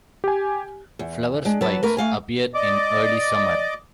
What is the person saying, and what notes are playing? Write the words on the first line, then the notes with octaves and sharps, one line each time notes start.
Flower spikes appear in early summer.
G4 G#5
E2
G#3 D4
F#3 B4 A5
A3 A#4 B4
A3 F5 G#5
D5 D#5 D6